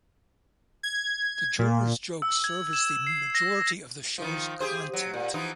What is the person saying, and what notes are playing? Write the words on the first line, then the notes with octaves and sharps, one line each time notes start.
The jurors' jokes serve as the majority of the show's content.
G#6
A#2
E6
G#6
E7
C7
A#6
D#3 F3
G4 G#4 C5
F#3
A#2
E3 F3 D#4